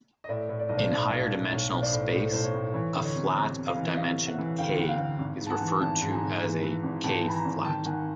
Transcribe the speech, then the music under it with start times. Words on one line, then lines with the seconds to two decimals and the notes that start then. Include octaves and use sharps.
In higher-dimensional space, a flat of dimension "k" is referred to as a "k"-flat.
0.24 D#5
0.29 A2 D5 E5
0.49 A2
0.59 D5
0.69 B1 D#5
0.77 C5 D5
0.90 B1
1.10 B1
1.31 B1
1.51 B1 C#5
1.72 B1
1.82 C5 D5
1.92 A2
2.12 A2 C5
2.33 B1 C5
2.44 C#5
2.54 A2
2.74 E3 C#5
2.95 D2
3.05 C#5 D#5
3.14 C3
3.35 C3
3.55 C3
3.66 D#5 F5
3.77 E3
3.86 E5
3.96 C3 D#5 F5
4.17 C3
4.27 E5 F#5
4.38 E3
4.58 D2 F5 G5
4.78 D2 F#5
4.89 F5 G5
4.99 D2
5.19 G#1
5.41 G#2
5.47 A5
5.50 F#5 G#5
5.61 E3
5.80 G#1 G5 A5
6.01 G#2
6.11 G#5 A#5
6.22 G#1
6.42 E3
6.63 E3
6.83 G#1
7.04 G#1 G5 A5
7.24 E3 B5
7.34 G#5 A#5
7.45 G#1
7.65 D#3 G5 A5
7.85 D#3 F#5 G#5